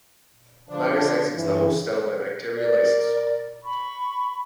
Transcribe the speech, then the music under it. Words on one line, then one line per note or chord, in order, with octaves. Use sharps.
The virus exits the host cell by bacteria lysis.
D3 F3 D4
G2 E3
A#4 D5
B5 C#6